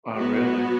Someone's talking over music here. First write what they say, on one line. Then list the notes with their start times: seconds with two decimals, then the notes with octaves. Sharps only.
Oh, really?
0.15 F#3 B3 F#4